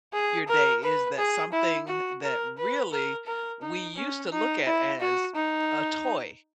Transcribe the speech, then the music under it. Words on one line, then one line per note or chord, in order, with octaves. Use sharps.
your day, is that something that really we used to look at as a toy,
G#4
A#4
B4
G#4
E4
F#4
A#4
B4
A#4
A#4
D#4
C#4
D#4
E4
F#4
D#4